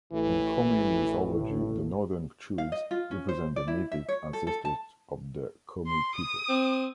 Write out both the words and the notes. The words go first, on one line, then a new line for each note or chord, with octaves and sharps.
In Komi mythology, the Northern Chudes represent the mythic ancestors of the Komi people.
A1 A2 E3
F5
D#5
F4
C#4
C5
D5
E4
E5
C#5
A4
A4
A5
C6
D#6
C4